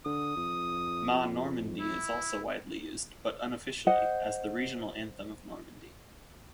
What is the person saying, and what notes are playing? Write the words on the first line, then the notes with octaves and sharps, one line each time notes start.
"Ma Normandie" is also widely used, but unofficially, as the regional anthem of Normandy.
D3 D#6
F2
E4
C5 D#5 F#5